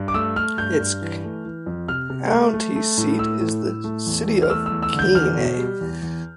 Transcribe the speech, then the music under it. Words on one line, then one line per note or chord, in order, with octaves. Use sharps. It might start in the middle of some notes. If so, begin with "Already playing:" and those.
Its county seat is the city of Keene.
Already playing: G2
D6
A3 E6
A3 F6
G2 G6
G2
E3
A3
E3
F2
C3 F6
C3
A3
A3
A3
A2
A3 E6
A2
A2
A3
E2
E2
F6
A3 E6
E6
E2
E6
D3
G6
E2 F6
B2
G3
E2
E2